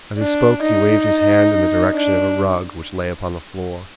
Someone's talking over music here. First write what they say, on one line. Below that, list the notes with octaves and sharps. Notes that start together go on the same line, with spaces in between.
As he spoke he waved his hand in the direction of a rug which lay upon the floor.
D4
D#4
D4